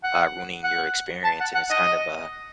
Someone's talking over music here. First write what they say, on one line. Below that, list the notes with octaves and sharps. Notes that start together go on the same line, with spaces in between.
uh ruining your experience, and it's kind of a
F#5
F#5
A5
F#5
F#5
D#5